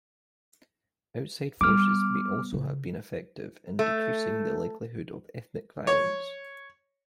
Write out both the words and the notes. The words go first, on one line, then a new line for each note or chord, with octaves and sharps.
Outside forces may also be effective in decreasing the likelihood of ethnic violence.
G3 B3 D6 F6
C#3
A3
C#5